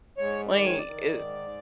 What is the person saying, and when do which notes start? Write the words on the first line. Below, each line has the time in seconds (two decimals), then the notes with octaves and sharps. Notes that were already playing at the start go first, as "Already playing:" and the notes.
Wait, is
0.18 G#2 C#5
0.51 D#3 D5
0.65 C#5
0.78 D5
0.86 D#3
1.19 G#2